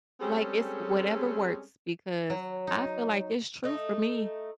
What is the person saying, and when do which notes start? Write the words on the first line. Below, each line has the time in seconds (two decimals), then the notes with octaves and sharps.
like, it's whatever works because I feel like it's true for me.
0.21 G3 G#3 C4 C#4 G#4 A4
2.30 F#3
2.67 D#4
3.64 A3 D#4